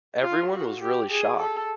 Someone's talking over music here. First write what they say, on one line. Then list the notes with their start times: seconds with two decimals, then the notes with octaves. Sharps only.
Everyone was really shocked.
0.22 F4
0.52 F#4
0.81 G4
1.10 G#4
1.40 A4